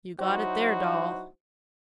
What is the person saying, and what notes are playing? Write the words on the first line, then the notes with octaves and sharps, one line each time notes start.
'You got it there, Doll.
F#3 D#4 E4 F#4 C5